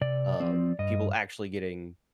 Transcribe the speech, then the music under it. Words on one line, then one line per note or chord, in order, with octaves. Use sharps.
um, people actually getting
C3 D5
F3 C4
G2 D#5